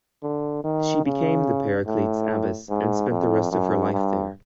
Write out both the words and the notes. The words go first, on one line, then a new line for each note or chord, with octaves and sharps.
She became the Paraclete's abbess and spent the rest of her life there.
D3
D#3
C#3
A2
G#2
F2
F#2
G2